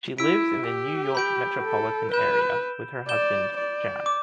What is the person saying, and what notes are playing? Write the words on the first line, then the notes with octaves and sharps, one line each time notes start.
She lives in the New York metropolitan area, with her husband, Jack.
E4 E6 B6 D7
G4
B5 G6 D7
A4
B4 G6 E7 G7
D5 G6 E7 G7
D5
D6